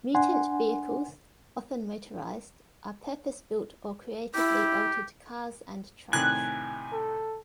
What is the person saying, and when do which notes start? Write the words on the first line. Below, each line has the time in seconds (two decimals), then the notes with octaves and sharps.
Mutant Vehicles, often motorized, are purpose-built or creatively altered cars and trucks.
0.15 D4 F#5 G#5 C6
4.35 E4 G4
6.13 A2 C3 D#3 G#5 F#6
6.93 A4